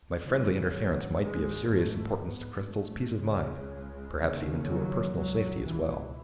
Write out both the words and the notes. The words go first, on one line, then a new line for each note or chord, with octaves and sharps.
My friendly interference might be of serious importance to Cristel's peace of mind--perhaps even to her personal safety as well.
G#1 F#2 C#3 E3
F#3
G#1 G#2 G#3
A3
A1 G#2 B3
A3
C#2 C#3 G#3
D#2 C#3
F#3
C#2 B2 F#3
E3